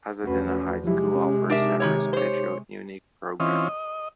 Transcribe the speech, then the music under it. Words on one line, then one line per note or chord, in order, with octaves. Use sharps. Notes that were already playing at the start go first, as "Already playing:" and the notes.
Pasadena High School offers several special unique programs.
E2 F3 A3 C#4 F#4 B4
C3 F3 F#3 G#3 E4 G4
C#4
D4 D#4 G4 A#4 E5 D6
D#3 F3 C#5
C5 C#5
E3 C4 C#4 F4 D#5
D#5